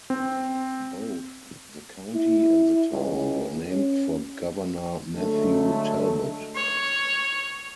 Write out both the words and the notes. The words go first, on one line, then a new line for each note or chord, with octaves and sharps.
Both the county and the town were named for Governor Matthew Talbot.
C4
E4
C#2
C#4
D3 F#3 G#3 A3
C#5